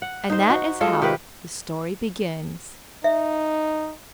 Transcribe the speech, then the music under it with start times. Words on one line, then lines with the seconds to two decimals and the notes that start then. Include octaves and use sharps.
And that is how this story begins.
0.02 F#5
0.30 D#4 C5
0.50 F#4
0.81 G#3 F4 A4 D#5
1.02 C3 G4 A#4 B4
3.04 D#4 E5